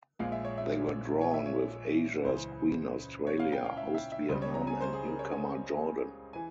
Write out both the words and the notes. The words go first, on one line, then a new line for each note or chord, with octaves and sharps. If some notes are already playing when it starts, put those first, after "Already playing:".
They were drawn with Asia's Queen Australia, host Vietnam and newcomer Jordan.
A#1 A#2 G#3 F5
E5
C#5
E5
C#5
E5
C#5
C#2 C#3 E3 C5
C#5
F5
G5
F5
E5
E5
E5
C#2 C#3 G3 C5
C#5
A#5
G#5
C5
G#4
A#4
C#5
G#5
E3 G#5